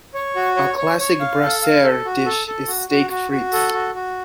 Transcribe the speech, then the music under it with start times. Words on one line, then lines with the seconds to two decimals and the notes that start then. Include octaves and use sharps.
A classic brasserie dish is steak frites.
0.14 C#5
0.36 F#4
0.57 C#5
0.78 C#5
0.99 C#5
1.20 F5
1.42 A4
1.63 F5
1.83 A4
2.05 F#4
2.26 A4
2.47 A4
2.67 F#4
2.89 F#4
3.10 F#4
3.31 F#4
3.53 A4
3.73 F#4
3.95 F#4